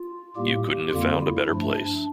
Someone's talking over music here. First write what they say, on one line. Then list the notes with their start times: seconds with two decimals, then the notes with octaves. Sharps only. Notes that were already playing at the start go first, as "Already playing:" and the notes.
You couldn't have found a better place.
Already playing: F4
0.35 A2 G3 A#3 G4
0.91 F2 D3 G3 A#3 F4
1.21 E4
1.48 G2 F3 A3 D4
1.77 D4